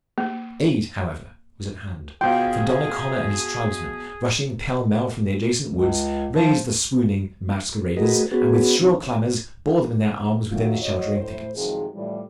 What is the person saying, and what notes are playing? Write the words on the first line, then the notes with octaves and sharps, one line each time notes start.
Aid, however, was at hand; for Donnacona and his tribesmen, rushing pell-mell from the adjacent woods, raised the swooning masqueraders, and, with shrill clamors, bore them in their arms within the sheltering thickets.
A#3
B2 F4 G#4 C5 F5 G5 C6
C#2
F3
A3 F#4 G#4 A#4 B4 D#5
B3 C#4 F#4 G#4 B4
C3 C4 D#4
C#4
A#2 D#3 F#3 A3 D#4 F4
A2 F#3 C5 C#5 D#5
A2 C5
F#2 C3 D#3 F3 G#3
A2 E3 F3 G3